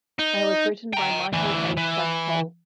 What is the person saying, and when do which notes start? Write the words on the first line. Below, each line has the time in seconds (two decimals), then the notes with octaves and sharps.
It was written by Michael A. Stackpole.
0.19 D#4
0.93 G5 A#5
1.33 D2 E3
1.77 E3